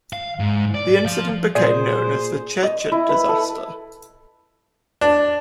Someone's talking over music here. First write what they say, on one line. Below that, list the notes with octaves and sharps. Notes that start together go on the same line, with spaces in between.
The incident became known as the Cheche Disaster.
F5
G#2
D5
F3 F5
A#2 G#4 C5 D5
D#5
E4
B4
A4
D4